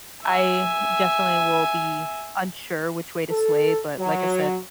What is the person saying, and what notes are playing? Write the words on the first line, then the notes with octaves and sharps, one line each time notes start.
I definitely will be unsure which way to sway, but like I said
E5 G#5
A4
F#3